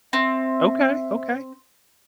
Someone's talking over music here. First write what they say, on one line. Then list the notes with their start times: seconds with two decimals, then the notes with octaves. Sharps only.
Okay, okay.
0.13 C4 E5